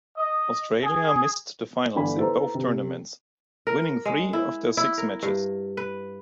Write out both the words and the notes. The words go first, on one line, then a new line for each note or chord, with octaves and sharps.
Australia missed the finals in both tournaments, winning three of their six matches.
D#5
G#4
G1 D3 E3 D5 G#5 B5
E4 A4 B4 C5 A#5
C3
A#4
G#3
E4
E4
A#4
G2
B4